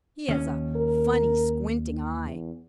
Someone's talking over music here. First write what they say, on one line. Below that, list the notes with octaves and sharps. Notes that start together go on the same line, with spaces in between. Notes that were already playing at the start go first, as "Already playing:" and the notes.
"He has a funny, squinting eye."
D#2 C#4
A#4
E2